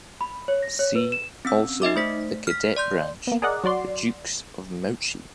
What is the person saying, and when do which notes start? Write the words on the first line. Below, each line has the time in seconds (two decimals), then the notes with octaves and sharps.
See also the cadet branch, the Dukes of Mouchy.
0.21 B5
0.48 C#5
0.63 A#6
0.79 C#5
0.95 B4
1.12 E7
1.45 C4 C#4 E6
1.82 D#4 D#5 E5 D6
1.96 A3 C5 B6
2.47 F6 B6
2.76 D5 C6 G6
3.27 A#3 B3
3.42 G#4 A#4 D5 D#5 F#5
3.64 F#3 F#4 D5 C6